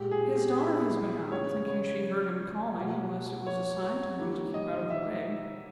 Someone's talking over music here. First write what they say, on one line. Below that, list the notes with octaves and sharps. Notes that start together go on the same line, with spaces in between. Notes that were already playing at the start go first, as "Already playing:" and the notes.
'His daughter has been out, thinking she heard him calling, unless it was a sign to him to keep out of the way.
Already playing: A#2 G#3 G4
G#4
G4
E4
C#3 G#3 C#5
C#5
B2 G3 A#3
C#5
C#5
D#3 G3 A#3
D#5
E5